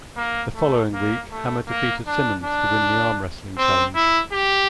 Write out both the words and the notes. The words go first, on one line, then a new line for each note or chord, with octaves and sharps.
The following week Hammer defeated Simmons to win the arm wrestling challenge.
A#3
A3
A#3
A3
A#3
D4
D4
C4
E4
G4